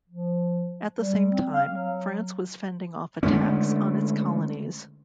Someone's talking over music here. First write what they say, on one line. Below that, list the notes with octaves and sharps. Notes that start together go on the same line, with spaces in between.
At the same time, France was fending off attacks on its colonies.
F3
G3
C4
F5
F#3
D3 G#3 A3 C#4